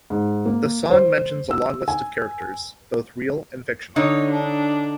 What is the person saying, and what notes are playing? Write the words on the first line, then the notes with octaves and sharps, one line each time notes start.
The song mentions a long list of characters, both real and fictional.
G#2
A#3
C5
E6
G#5
D3 D#4 C#5
D4